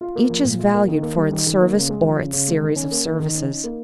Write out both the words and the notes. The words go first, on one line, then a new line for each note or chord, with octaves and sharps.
Each is valued for its service or its series of services.
F4
A#3
F3
A#2
F4
A#3
D#3
A#3
G3
D#3
D#3
A#3
C#3
G#3
F3
C#3
C#3
G#3
D#3
C#4
A#3
D#3
D#3
C#4
D#4
A#3